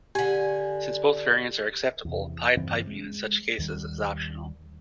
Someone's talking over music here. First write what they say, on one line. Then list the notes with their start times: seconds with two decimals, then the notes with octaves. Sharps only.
Since both variants are acceptable, pied-piping in such cases is optional.
0.15 D3 G4 G#5
2.05 E2 C3
2.57 G2 C#3 E3 C4
2.87 G#3
3.58 D#2 D#3 G3